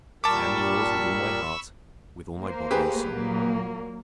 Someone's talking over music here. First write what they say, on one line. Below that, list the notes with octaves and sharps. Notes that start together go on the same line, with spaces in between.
I am yours with all my heart, with all my body and soul.
A#2 G3 A#4 A5 B5 C#6 D6 E6
A#3 C5
G4 G#4 B4
A#2 F#3 A#3